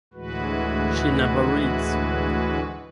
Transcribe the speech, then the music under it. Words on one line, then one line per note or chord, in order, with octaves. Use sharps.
She never reads.
D2 A2 E3 G#3 F#4 B4